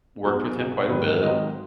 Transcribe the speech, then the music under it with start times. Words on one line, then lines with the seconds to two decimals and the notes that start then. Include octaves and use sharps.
worked with him quite a bit,
0.24 B1 B2 F#3 F#4
0.41 G#4
0.57 B1 B2 F#3
0.90 G#1 G#2 D#3 F#3 B4
1.22 G#1 G#2 D#3 F#3 D#5